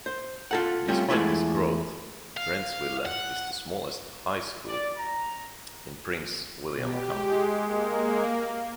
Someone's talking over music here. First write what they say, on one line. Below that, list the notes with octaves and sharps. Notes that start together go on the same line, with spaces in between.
Despite this growth, Brentsville is the smallest high school in Prince William County.
C5
F4 A4 F#5
G3 A3 C4 C#4 F4
E2 G#3 A3 E4 F4
F5
F#5
D5
A#5
B2 G4
G#3
A#3